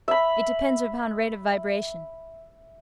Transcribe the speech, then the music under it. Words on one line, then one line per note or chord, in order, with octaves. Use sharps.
It depends upon rate of vibration.
E5 B5